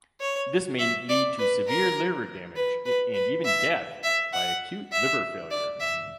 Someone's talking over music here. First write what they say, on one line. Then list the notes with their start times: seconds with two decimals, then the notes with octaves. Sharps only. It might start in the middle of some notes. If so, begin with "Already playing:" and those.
This may lead to severe liver damage and even death by acute liver failure.
0.20 C#5
0.79 E5
1.09 D5
1.39 B4
1.68 A#4
2.56 B4
2.86 B4
3.15 B4
3.45 E5
4.04 E5
4.33 F#5
4.92 E5
5.51 D5
5.80 E5